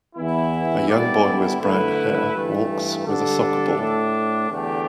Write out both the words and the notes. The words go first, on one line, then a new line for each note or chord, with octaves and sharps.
A young boy with brown hair walks with a soccer ball.
E2 E3 B3 E4
D3 G3 B3 E4 D5
D3 A3 E4 B4
G2 E3 A3
D3 G3 D4 A4
A2 A3 D4
E2 D3 A3 D4 G4